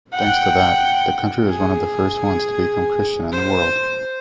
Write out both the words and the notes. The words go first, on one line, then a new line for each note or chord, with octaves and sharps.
Thanks to that, the country was one of the first ones to become Christian in the world.
F#5 G5
G#4
C5